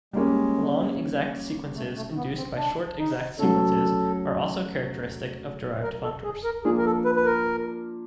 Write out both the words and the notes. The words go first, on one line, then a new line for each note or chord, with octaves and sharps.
Long exact sequences induced by short exact sequences are also characteristic of derived functors.
G3 G#3 A#3 C#4
A3
A3
B3
C4
D4
D#4
F#3 A3 C#4 A4
A#4
A4
G#4
A#4
F3 A#3 D4 F4 G#4
A#4
A4
B4
B4
A#4